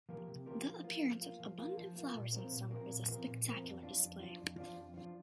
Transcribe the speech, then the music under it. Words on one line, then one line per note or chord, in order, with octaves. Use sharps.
The appearance of abundant flowers in summer is a spectacular display.
F3 A#3 G4 A#4
C3
F3 A#3 G4 A#4
F3
A#3 F4
F3
A#3 F4
F3
A#3 F4
F3
A#3 F4
A#2
F3 C4 A#4
A#2
F3 C4 A#4
A#2
F3 C4 A#4
A#2
F3 C4 A#4
F2
F3 D4 F4
F2
F3 D4 F4
F2
F3 D4 F4
F2
F3 D4 F4